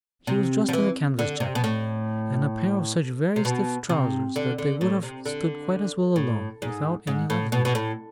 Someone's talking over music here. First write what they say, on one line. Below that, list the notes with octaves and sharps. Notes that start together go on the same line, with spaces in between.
He was dressed in a canvas jacket, and a pair of such very stiff trousers that they would have stood quite as well alone, without any legs in them.
C3
F3
E3
D3
C3
B2
A2
C3
B2
C3
D3
D3
A2
C3
D3
A2
G#2
G#2
A2
B2
B2
A2